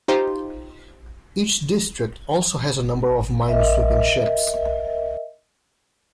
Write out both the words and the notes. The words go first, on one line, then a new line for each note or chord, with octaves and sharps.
Each district also has a number of minesweeping ships.
D#4 F4 G4 C5
A#4 D#5 E5